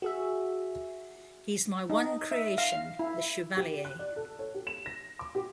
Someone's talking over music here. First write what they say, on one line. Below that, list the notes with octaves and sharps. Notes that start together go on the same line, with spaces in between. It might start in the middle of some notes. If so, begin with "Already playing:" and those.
He's my one creation, the Chevalier.
F#4 G#4 E5
D#4
E5
F5
E4
G4
F#6
D5
A4
C#5
G4
E7
A#6
D6
G4